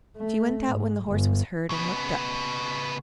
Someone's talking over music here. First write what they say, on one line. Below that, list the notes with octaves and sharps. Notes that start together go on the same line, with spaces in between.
She went out when the horse was heard, and looked up.
A3
G#2
G1
C#3 B3